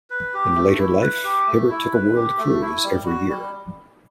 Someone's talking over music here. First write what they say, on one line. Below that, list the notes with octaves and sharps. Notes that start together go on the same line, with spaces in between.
In later life, Hibbert took a world cruise every year.
B4
G4
A3
E4
B4
G4
A3
E4
B4
G4
A3
E4
G3
F#4
G3